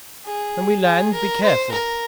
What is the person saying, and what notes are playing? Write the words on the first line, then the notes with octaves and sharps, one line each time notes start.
When we land, be careful.
G#4
G#4
A#4
C5
A#4